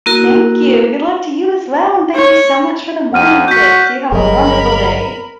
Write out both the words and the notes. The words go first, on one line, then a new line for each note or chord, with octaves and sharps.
Thank you, good luck to you as well, and thank you so much for the morning tips you have a wonderful day.
A#3 E4 F#4 A#4
C#5
F2 F#5 F6 D#7
F#4 G6 B6
G1 F#3 G#4 A#4 C#5 D#5 B5